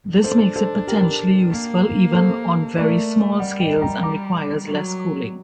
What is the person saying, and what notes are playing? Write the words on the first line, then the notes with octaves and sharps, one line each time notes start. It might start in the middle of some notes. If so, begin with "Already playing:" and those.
This makes it potentially useful even on very small scales and requires less cooling.
D4 A4 C5
A4 C5
G4 A#4
A#3
A4 C5
A3 A#4 D5
G3 D5 F#5
D#5 G5
G5 A#5
A#5 D6
F#3